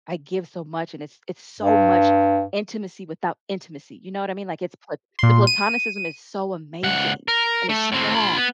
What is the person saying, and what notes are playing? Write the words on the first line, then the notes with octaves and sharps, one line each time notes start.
I give so much and it's it's so much intimacy without intimacy, you know what I mean? Like it's pla the platonicism is so amazing and it's strong,
G2
A#2 C6
D#7
C#2 F#5
A#4
A3
A2 C4
F4 B5
B3